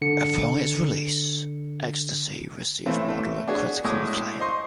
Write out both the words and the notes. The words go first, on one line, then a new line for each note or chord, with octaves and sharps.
Upon its release "Ecstasy" received moderate critical acclaim.
D3 C#7
C3 E3 A3 C4 C#4
A3
D4 F#4 G#4 C#5
A2 G#3 G#4 D6 D#6
C5 D#5 C6 C#6